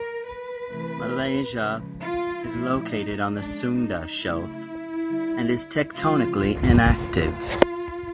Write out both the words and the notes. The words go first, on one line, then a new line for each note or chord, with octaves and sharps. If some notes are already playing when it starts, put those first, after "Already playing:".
Malaysia is located on the Sunda shelf, and is tectonically inactive.
Already playing: A#4
B4
C3 E3 A3
C#3 F3 G#3
F4
A#2 F3 A3 E4
D#4
C#3 F3 G#3 D4
D#4
C#3 F#3 A3 E4
D3 G3
C#3 F3 G#3 F4
F4
C#3 F#3 A3